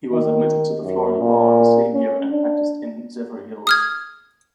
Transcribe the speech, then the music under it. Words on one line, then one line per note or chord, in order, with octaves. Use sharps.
He was admitted to the Florida bar the same year and practiced in Zephyrhills.
D#3
F#2
A#2
C#4
D4
D#6 F6 G#6